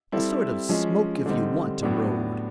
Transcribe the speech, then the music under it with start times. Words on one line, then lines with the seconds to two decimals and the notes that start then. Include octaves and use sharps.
A sort of 'smoke-if-you-want-to' road.
0.12 G3 C4 E4 A4
0.69 F3 G#3 C#4
1.26 D3 G3 C4 D#4
1.83 A2 F#3 B3 D4